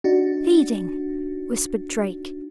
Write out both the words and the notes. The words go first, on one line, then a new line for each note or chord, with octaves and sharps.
"Feeding!" whispered Drake.
D4 D#4 F#4